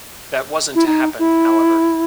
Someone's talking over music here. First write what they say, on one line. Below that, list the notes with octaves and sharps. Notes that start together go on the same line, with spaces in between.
That wasn't to happen, however.
E4
D#4
E4